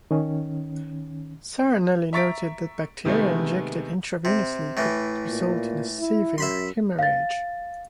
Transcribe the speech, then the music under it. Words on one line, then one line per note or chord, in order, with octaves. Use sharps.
Sanarelli noted that bacteria injected intravenously could result in severe hemorrhage.
D#3 C#4
E5 A#5 C#6 A6 B6 D7
C3 D#3 G#3 A3 B3
C3
A2 E3
A#2
E4
F#2 E5 B5 C6
F5 A6